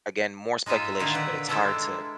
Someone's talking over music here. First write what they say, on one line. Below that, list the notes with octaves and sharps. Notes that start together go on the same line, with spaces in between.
again, more speculation, but it's hard to
G#3 D#4 F4 D#5 E5
A#2 D3 D#3 E4 F4 F5
B4 D5 F#5
G#3 A#3 D4 E4 F4 A4